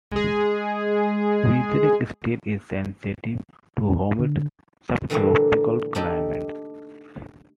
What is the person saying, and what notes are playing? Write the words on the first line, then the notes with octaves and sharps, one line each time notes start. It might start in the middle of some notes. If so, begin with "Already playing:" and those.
Weathering steel is sensitive to humid subtropical climates.
G#3 G#4
D3
A#2 D3 E3 G3 A3 A#3
D4 D#4 G4 A4 D#5